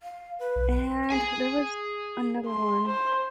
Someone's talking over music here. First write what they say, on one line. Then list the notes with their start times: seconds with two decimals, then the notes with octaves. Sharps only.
And there was another one
0.03 F5
0.39 B4
0.56 B1
1.10 G#4 G#5
2.46 C6
2.87 C5